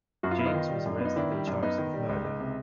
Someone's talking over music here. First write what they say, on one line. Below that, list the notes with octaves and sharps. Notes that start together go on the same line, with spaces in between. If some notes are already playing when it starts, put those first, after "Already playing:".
James was arrested and charged with murder.
F#2 F#4
F4
B3 E4
D#4 F4
D#3
G3
F#2
D4
B3 D#4
D#3 D4 E4
G3
F#2
B3 D#4
D#3
G3
C#2
C#2
C3